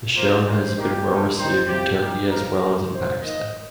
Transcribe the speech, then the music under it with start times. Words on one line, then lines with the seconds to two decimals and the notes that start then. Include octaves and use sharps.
The show has been well received in Turkey as well as in Pakistan.
0.15 A#2 F3 A#3 C5
0.46 D#3 G3 A#3 C5
0.76 D#3 G3 A#3 G4
1.07 A#2 G3 D#4
1.37 D#3 G3 D#4 C5
1.68 C3 F3 C4 G4
1.99 A#2 G3 A#3 D#4 G4
2.29 A#2 F3 D#4 A#4
2.59 A#2 G3 D#4
2.91 D#3 C4 D#4 C5
3.21 D#3 A#3 D#4 D#5